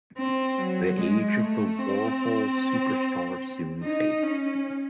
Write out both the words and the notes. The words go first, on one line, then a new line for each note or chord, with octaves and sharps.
The age of the Warhol superstar soon faded.
C4
F#3
G#3
A3
C4
D#4
C#4